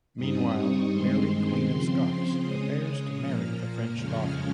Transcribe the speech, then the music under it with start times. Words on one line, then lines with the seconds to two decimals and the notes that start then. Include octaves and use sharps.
Meanwhile, Mary Queen of Scots prepares to marry the French Dauphin.
0.16 G2 G3 C4 D#4 D#6
0.55 C#6
0.92 G2 D#3 G#3 C4 C6
1.67 C#3 F3 C4
2.42 C#3 G#3 C#4 D#6
3.17 A#2 F3 A#3 F6
3.92 F2 C#3 F3 G#3 C#4